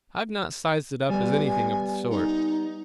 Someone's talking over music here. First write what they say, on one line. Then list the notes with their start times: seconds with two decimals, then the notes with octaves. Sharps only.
I've not sized it up as anything of the sort.
1.10 G3 B3 G#5
2.10 D#4